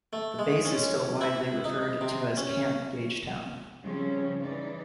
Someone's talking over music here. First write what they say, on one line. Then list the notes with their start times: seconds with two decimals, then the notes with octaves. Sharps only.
The base is still widely referred to as Camp Gagetown.
0.13 A3
0.39 G#3
0.65 C#4
1.21 E4
1.64 D#4
2.01 C3
2.37 C#4
3.83 C#3 F3 G3 C4 C#4
4.43 E3 D#4 D5